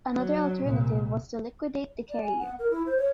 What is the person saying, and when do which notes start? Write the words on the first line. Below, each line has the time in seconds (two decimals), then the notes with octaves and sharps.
Another alternative was to liquidate the carrier.
0.13 F#3
0.64 C2 A#2
2.09 D5
2.23 G#5
2.39 F#5
2.59 A#4
2.71 E4
2.86 C5
2.97 C#5